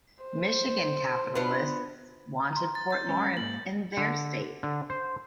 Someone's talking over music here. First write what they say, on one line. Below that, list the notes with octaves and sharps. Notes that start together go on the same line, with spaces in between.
Michigan capitalists wanted Port Lawrence in "their" state.
C5
B3 D4 F4
A#5 C6
A6
G6 A6
F#3 G#3 C#4
G#2 A#3 F#7
D3
D3
C5